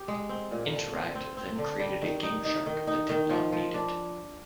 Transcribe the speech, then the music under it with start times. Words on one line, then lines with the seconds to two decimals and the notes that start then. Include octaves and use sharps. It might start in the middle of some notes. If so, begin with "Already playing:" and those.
InterAct then created a GameShark that did not need it.
Already playing: G4
0.08 G#3
0.29 C4
0.51 A#2
0.73 D3
0.94 C4
1.15 C4
1.37 C4
1.58 D3
1.80 G3
2.02 D#3
2.23 D#4
2.45 D#4
2.66 D#3
2.87 D#4
3.09 D#3
3.30 F3
3.52 F3
3.74 D4